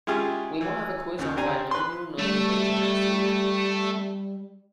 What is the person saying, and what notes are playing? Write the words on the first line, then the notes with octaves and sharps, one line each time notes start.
We will have a quiz on binomial nomenclature next week.
G#3 C#4 E4 F4 G4 G#4
E3
D#2 C#3
C4 D4 G4 C5 G#5 A#5
B4 C6
G3 A3